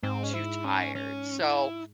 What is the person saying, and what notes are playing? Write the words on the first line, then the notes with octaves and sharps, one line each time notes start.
too tired. So,
G#2 C4
C#4
E4
C#4
C#4
E4